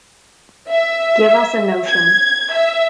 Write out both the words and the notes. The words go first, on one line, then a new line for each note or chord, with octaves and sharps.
Give us a notion.
E5
G#6
E5